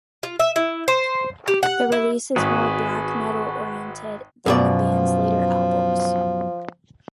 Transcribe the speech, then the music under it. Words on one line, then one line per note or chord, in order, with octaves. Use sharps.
The release is more black metal oriented than the band's later albums.
F4
E5
E4
C5
G4
F#5
E4
G#1 F#4 G#4 B4
F#2 B2 F3 D5